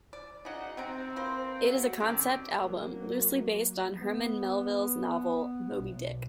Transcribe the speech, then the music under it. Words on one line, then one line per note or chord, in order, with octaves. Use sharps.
It is a concept album loosely based on Herman Melville's novel "Moby-Dick".
D5
C#3 F#3 D#4 F#5
C3 C4 G5 A#5
A#3 B4 C5
F#3
D3 D#3 C4 C#4 G4
F#3 A#3
B3
B1